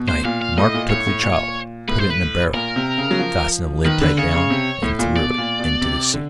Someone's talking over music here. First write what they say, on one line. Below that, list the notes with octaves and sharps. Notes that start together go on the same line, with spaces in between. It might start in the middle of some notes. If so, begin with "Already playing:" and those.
At night Mark took the child, put it in a barrel, fastened the lid tight down, and threw it into the sea.
Already playing: B2
C5
A#2 F5
F5
A2 D#5
A#2
A2 C#5
A2
A#2
A2 B4
C5
B4
A#2 A#4
C3
C#3
F#3
F3
D#3 B4
D3
C#3 C#5
C#3
C3
A2
A#2
B2 D5
A#2
B2
C3
D3